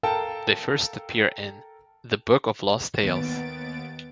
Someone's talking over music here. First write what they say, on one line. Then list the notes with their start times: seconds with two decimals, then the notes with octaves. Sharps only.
They first appear in "The Book of Lost Tales".
0.03 A4 A#4 F5 G5 A5
3.02 D#2 B3 A6 D7